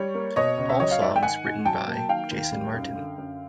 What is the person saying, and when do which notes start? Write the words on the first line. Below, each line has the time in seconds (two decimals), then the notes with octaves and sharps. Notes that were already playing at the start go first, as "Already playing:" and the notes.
All songs written by Jason Martin.
Already playing: G3 C#5
0.15 A#3
0.36 B2 C#5 D#5
0.57 C#2
0.69 E5
0.80 F#3 C#5 D#5
0.91 F5
1.01 G#2 D5 E5
1.16 G5
1.23 D#3 F#5 G#5
1.45 G#2
1.65 F#3 G5 A5
1.87 A#3
2.09 D#3 F5 G5
2.31 D#2
2.52 G3
2.74 F#2
2.95 D3
3.18 F#2